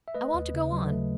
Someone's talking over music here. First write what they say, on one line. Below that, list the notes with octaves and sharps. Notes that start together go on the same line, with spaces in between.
"I want to go on."
E5
A3 B4 D#5
D#2
C#3
F#3
A3